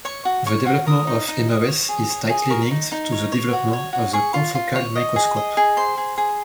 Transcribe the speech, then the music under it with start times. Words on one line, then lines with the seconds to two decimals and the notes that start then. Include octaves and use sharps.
The development of Imaris is tightly linked to the development of the confocal microscope.
0.05 C#5 C#6
0.25 F#4
0.46 C#5 C#6
0.66 F#4
0.87 A#4 D#6
1.07 D#4
1.28 D#4
1.48 D#5
1.68 C#5
1.89 G#4
2.10 C#5
2.30 G#4
2.50 A#4 C#6
2.71 D#4
2.92 D#4
3.12 C#5
3.32 C#5
3.53 F#4
3.73 C#5
3.93 F#4
4.13 G#4 C#6
4.34 F4
4.55 F4
4.76 C#5
4.95 D#5
5.16 G#4
5.37 D#5
5.57 G#4
5.77 C5 C6
5.97 G#4
6.18 G#4